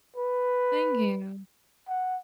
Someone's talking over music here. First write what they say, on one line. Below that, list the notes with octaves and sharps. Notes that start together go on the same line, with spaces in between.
Thank you.
B4
F#5